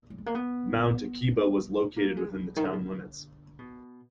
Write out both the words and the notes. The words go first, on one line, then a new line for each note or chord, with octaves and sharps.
Mount Akiba was located within the town limits.
F#3
G#3
A#3
B3
A#3
G#3
B2
D#3
D3
B2
D3
B2